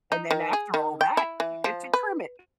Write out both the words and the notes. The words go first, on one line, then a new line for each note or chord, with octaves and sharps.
And then, after all that, you get to trim it.
D#4
D#3
G#4
D#3
G5
E4
E3
F3
B4